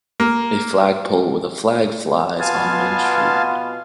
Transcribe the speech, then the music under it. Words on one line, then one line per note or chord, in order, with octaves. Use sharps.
A flag pole with a flag flies on main street.
A#3
B2 B3 F4 F5 G#5 A5